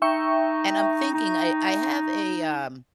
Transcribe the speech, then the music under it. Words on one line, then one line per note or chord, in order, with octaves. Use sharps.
and I'm thinking I I have a, um
D#4 E5 G5 C#6
D#4